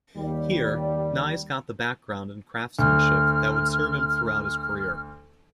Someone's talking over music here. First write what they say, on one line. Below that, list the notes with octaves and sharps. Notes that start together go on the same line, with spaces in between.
Here Nys got the background and craftmanship that would serve him throughout his career.
D#2 G3
D2 F6